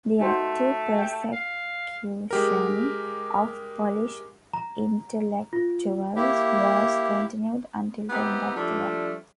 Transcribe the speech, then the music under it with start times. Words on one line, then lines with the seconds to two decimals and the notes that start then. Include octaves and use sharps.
The active persecution of Polish intellectuals was continued until the end of the war.
0.20 A3 D#4 F#4 C5
0.99 G5
1.32 F5
2.31 G#3 G4 A#4
4.53 A#5
5.53 F4
6.16 A#3 E4 G4
8.10 B3 C4 D#4 E4 G4
8.56 F3 G3 A3 D4